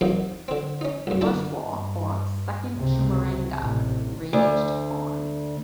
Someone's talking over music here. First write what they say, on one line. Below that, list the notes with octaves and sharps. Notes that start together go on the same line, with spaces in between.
The Bush War or "Second Chimurenga" raged on.
E2 C3 F#3 A#3 D#4
D3 C4
C#4 D#4
C2 F#2
D3 D4 E4 G5 A5
G2
C#2 C3
A1 C3
D2